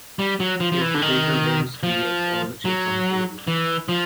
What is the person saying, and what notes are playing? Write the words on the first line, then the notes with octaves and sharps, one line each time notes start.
If the taker wins, he gets all the chips on the table.
G3
F#3
F3
F3
E3
D3
D#3
F3
F#3
E3
F3